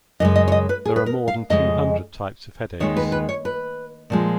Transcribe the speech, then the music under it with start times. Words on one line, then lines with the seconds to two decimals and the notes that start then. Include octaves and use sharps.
There are more than two hundred types of headaches.
0.20 F#2 C#3 G#3 D#5
0.36 D#5
0.48 C#5
0.52 D#5
0.69 B4
0.85 G#4
0.96 B4
1.06 A#4
1.28 F5
1.50 F2 C#3 G#3 D#5
2.80 D#2 D#3 G#3 C#5
2.97 B4
3.12 B4
3.29 C#5
3.45 B4
4.10 A#2 F3 G#3